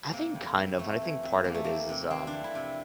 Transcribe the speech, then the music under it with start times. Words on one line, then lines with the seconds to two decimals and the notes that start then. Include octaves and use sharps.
I think kind of, and I think part of it is, is um
0.13 C3 A#3
0.35 F2
0.57 F2
0.78 F2 A3
1.01 E3
1.23 F2
1.44 E3 A#3
1.54 A3
1.64 F2 A#3
1.89 C3
2.10 E3 C4
2.27 D4
2.32 F2
2.44 E4
2.55 C3